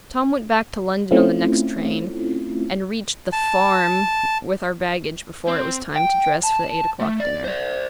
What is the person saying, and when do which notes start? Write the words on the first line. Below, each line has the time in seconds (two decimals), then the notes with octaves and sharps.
Tom went back to London on the next train, and reached the "farm" with our baggage before it was time to dress for the eight-o'clock dinner.
1.11 A3 C4 C#4 E4 F4
3.33 A5
5.48 C4
5.96 G5
6.43 A5
7.01 A3
7.20 D5
7.45 C5 D5